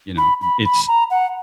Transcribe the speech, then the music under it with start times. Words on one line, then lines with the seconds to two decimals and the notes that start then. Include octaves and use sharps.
you know, and it's
0.18 B5
0.41 B5
0.65 B5
0.88 A#5
1.10 F#5